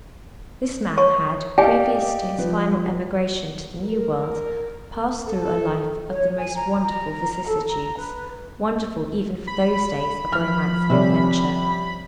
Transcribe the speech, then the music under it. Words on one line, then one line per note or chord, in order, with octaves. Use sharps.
This man had, previous to his final emigration to the New World, passed through a life of the most wonderful vicissitudes--wonderful even for those days of romance and adventure.
C#5 C#6
G4 D5 D#5 F5 G5 G#5
F3 B4
A#4
A4
C#5
G#5
A#5
A#5
A4
A#5
B4
B5
F3 F6
C3 G3 C#4 E5